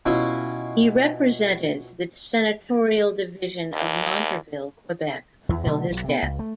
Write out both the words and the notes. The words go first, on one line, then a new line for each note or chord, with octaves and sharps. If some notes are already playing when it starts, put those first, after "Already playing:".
He represented the senatorial division of Montarville, Quebec until his death.
B2 C#4 E4 F4
D#2
E2
B2 D3 F#3 A3
B1 F#3
C3 B3
C#2
A3